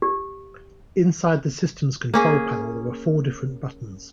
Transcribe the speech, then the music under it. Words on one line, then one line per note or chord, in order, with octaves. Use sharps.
Inside the systems control panel, there are four different buttons.
G4
A#3 C#4 G#4